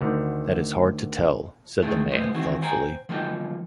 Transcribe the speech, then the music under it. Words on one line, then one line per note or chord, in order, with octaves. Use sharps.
"That is hard to tell," said the man, thoughtfully.
D2 D3 D#3
D#3 E3 G#3 A3
C#2 A3 B3 C5
D#3 E3 C4 F#4
C5 G5 G#5 A#5
D3 F3 F#3 A#3 D#4 G5